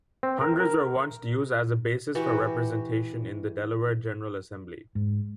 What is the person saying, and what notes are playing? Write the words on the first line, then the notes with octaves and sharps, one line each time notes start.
Hundreds were once used as a basis for representation in the Delaware General Assembly.
C4
A#4
A#4
E3 F#4 G4
G#2